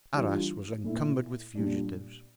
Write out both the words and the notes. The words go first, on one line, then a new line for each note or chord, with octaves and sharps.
Arras was encumbered with fugitives.
E3 G3 D4 F4
A#2 A3 E4
A#2 G3 D4